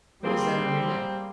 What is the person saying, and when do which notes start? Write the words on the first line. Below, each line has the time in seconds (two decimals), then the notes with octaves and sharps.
"What is that on your neck?"
0.24 G3 A#3 C4 G#4 C5